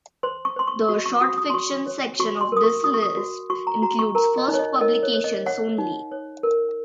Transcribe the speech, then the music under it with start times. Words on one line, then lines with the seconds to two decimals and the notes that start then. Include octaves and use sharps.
The Shortfiction section of this list includes first publications only.
0.23 C5 C6
0.45 C#6
0.56 C5 C6
0.68 C#6
0.88 F#4 C#6
1.06 C#6
1.21 F#4 D#6
1.38 D#6
1.50 C6
1.54 F#4 C#6
1.86 C#5
2.19 F#4 C#6
2.41 C6
2.52 A#4 D#6
2.63 C#6
2.84 F#4 D#6
2.94 C#6
3.02 D#6
3.17 F#4
3.50 F#4 C#6
3.67 A#5
3.82 F#4 A#5
3.99 C#6
4.15 A#4 A#5
4.38 D#5
4.48 D#4
4.54 C#5
4.59 D#5
4.81 A#4 D#5
5.03 C#5
5.14 C#5
5.24 D#5
5.46 C#5 F#5
5.78 D#4
6.11 C#5
6.43 A#4